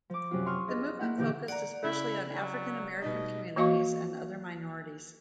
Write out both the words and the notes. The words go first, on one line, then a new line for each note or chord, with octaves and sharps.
The movement focused especially on African American communities and other minorities.
F3 D6
F#2 C3 F#3 F4
C6 C#6 D#6 F6
D4 G#4 D#5
A#3 E4 F#5
A#2 D3 E3 D#4 G4 G6
D5 F#5 A#5
C#3 E4
F#3
B2 G3 D#4 D#5
E3 A#3 F#4 D#5 F5 C#6